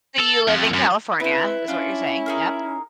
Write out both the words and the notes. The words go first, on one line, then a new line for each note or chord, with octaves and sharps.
So you live in California, is what you're saying? Yep.
A4
F2
F#2
B3 C4 E4 B4
C#4 D4 F4
D#4 G#4 A#4